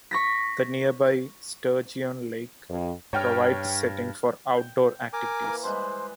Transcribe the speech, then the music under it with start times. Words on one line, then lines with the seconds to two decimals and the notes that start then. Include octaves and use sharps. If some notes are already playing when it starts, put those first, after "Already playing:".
The nearby Sturgeon Lake provides setting for outdoor activities.
0.11 C#6 A#6 B6
2.69 F2
3.13 G2 C#5 G5 F6
4.57 G5
5.13 A#4 G#5 D6
5.42 E3 A#3
5.63 G3 G#3 B4 C5